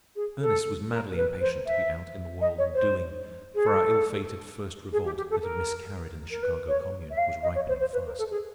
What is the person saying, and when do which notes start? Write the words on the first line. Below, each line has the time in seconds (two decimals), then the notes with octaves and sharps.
Ernest was madly impatient to be out in the world and doing, for our ill-fated First Revolt, that had miscarried in the Chicago Commune, was ripening fast.
0.15 G#4
0.40 A4
0.91 A#4
1.16 B4
1.40 C5
1.66 E5
2.41 D#5
2.58 C#5
2.74 C5
3.54 G#4
3.66 A4
4.92 G#4
5.05 G4
5.16 G4
5.30 A4
5.42 A#4
6.31 A#4
6.42 B4
6.68 C#5
7.10 E5
7.17 F5
7.42 D#5
7.55 C#5
7.68 C5
7.80 C5
7.93 B4
8.06 A#4
8.18 A4
8.31 G#4